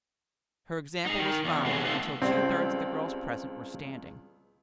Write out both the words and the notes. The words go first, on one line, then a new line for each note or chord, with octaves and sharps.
Her example was followed, until two thirds of the girls present were standing.
D#4 G#4
D#3
E2
C3 F#3 A3 G#4
B3 D#4 F4 A4
C#2 G3 C4